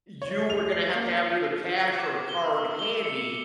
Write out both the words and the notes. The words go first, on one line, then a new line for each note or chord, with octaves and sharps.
you were gonna have to have either cash or a card handy
C#5
F7
C7
A#3
D6
G7
E6
G7
C#7